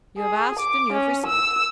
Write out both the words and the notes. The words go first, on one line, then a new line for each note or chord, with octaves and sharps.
You have asked, and you have received.
G#4
D6
C#4
E6